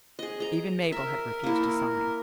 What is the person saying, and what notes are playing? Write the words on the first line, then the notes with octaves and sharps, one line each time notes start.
Even Mabel had refused to sign.
G#4 D#5
D#5 A#5
A#4 E5
A#3 E4